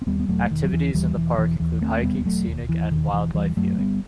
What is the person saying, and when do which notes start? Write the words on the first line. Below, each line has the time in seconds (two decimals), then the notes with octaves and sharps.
Activities in the park include hiking, scenic and wildlife viewing.
0.02 C4
0.07 D#2 G3 B3
0.20 B3
0.28 E1 F#3 A3
0.50 E1 D#3
0.64 F#3
0.72 D#2 E3
0.95 D#2 E3 G3
1.16 E1 E3
1.38 E1 E3
1.60 D#2 E3
1.81 D#2 A3 C4
2.03 E1 G3 B3
2.25 E1 F#3 A3
2.47 D#2
2.69 D#2 E3
2.91 E1 D#3
3.13 E1 E3
3.35 D#2 E3 G3
3.56 F#2 F#3 A3
3.78 G1 G3 B3